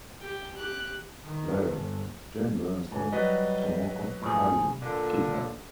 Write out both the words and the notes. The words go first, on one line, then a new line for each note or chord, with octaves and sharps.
Later, Gen learns that Tomoko has been kidnapped.
G4 G5
G4 F#6
D#3
G1
G#2
F#3 G3 B4 D#5
A2 F3 G#4
A#2 D3